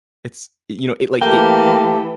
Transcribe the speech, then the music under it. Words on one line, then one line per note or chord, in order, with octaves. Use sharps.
It's, you know, it, like, it
E3 A3 A#3 G4 A4 G5